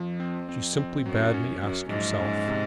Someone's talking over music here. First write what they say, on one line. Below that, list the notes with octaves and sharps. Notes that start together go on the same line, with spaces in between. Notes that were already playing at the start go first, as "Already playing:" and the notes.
She simply bade me ask yourself.
Already playing: F2 F3
C4
C4
C4
F#2 F#3
C#4
F#2 F#3
A#1 G#2
C#4
C3